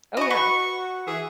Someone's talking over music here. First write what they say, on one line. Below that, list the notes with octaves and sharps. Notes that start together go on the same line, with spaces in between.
Oh, yeah,
E3 F#4 D#5 C#6
B4 C#6
E3 G#4 E5